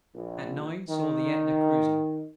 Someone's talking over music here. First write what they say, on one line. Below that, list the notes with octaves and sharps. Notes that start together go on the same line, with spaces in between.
At nine saw the AEtna cruising.
A#1
D#3